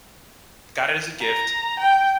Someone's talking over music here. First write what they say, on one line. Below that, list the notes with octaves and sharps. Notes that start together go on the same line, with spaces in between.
Got it as a gift,
A#5
G5